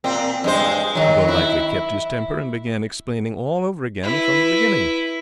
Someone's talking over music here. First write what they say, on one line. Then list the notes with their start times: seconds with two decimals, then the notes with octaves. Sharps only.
Golightly kept his temper, and began explaining all over again from the beginning.
0.04 A#2 A#3 C4
0.44 G2 G#3 C5
0.95 D#3 F#3
1.28 E4
4.04 E4 B4